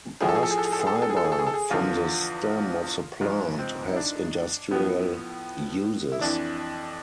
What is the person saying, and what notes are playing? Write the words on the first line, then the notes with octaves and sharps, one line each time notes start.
Bast fibre from the stem of the plant has industrial uses.
A2 F3 G#4
A4
G#4
A4
G#4
A4
G#4
A4
G#4
A4
G#4
A4
G#4
A4
G#4
A4
G#4
A4
G#4
E2 D3 F3 F4
G#2 F3 F4
C4
E4
D4
A2 F3 B3
E4
F2 E3 D4